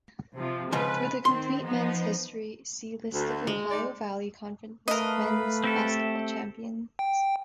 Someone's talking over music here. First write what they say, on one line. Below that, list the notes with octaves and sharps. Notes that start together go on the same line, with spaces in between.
For the complete men's history, see List of Ohio Valley Conference men's basketball champions.
C3 F3
G#2 C#3 F3 B4
D#3 C4 C6
F3 B3 D#4
D2
G#3
D#4 D5
A3 A#4 B4 D#5 F5 B5
C4 G4 A4
G5